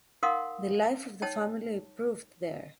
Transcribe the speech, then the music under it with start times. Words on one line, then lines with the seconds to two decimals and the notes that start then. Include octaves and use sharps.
The life of the family improved there.
0.23 D#4 A#4 F5 F#5 C6 D#6
1.22 D#4 C#5 G5 A5